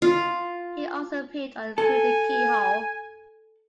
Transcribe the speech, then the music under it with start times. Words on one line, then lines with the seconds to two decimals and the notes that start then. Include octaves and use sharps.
He also appeared on "Through the Keyhole".
0.02 F4
1.78 A4 G#5